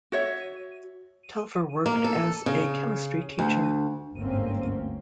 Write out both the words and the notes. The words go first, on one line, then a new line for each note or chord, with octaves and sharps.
Telfer worked as a chemistry teacher.
F#4 C#5 E5
A#3
A4
C#3
D2
G1 D2 G#2 A#3 C4 C#4